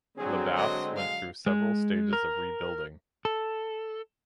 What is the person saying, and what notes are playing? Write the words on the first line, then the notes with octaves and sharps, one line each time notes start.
The baths went through several stages of rebuilding.
D3 F#3 C4 G#4
G#3 D#5
F5
G#3
A#4
A4